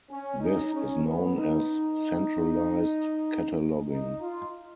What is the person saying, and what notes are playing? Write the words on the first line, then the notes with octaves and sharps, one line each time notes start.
This is known as centralized cataloging.
C#4
D#4
C#4
B3
D#4
D#4
F4